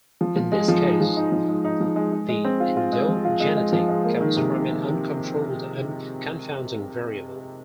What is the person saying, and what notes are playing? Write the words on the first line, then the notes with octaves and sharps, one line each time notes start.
In this case, the endogeneity comes from an uncontrolled confounding variable.
F3
F3
G#3
F3
D#4
F3
D#4
F3
G#3
D#4
F3
G#3
G#3
G#3
C4
F4
F4
G#3
F3
F4
G#3
G#3
F3
G#3
A#3
D#3
C3